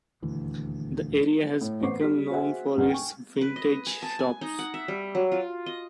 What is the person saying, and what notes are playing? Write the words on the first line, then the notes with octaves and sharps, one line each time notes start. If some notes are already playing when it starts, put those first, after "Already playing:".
The area has become known for its vintage shops.
D#1 D2 D3 E3
A2
A1 B3 C5 C#6 D6 C7
G3 F6 B6
F#4 G#4 C5 E5 F#5 G#5
D#1 B1 B3 D4 F#5 F6
G5 G#5 C#6
B4
D#5
G#5
A5
G#5
D#4
F#5
E5
G3
F#3
F4
D#5